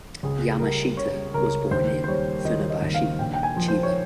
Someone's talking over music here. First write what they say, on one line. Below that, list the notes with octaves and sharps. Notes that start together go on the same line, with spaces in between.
Yamashita was born in Funabashi, Chiba.
C#2 G#4
G3 A#4
C#3 C#5
C#2 A#4
D#2 C5
C5
G3 C#5
D#3 D#5
D#5
D#2
F5
A#1 G5
G5
G#5
F3
C5
C#5